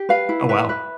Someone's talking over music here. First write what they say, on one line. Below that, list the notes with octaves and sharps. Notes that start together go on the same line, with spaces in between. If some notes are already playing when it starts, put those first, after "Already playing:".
Oh, wow.
Already playing: G4
B4 F5
E4
B4 E5
B4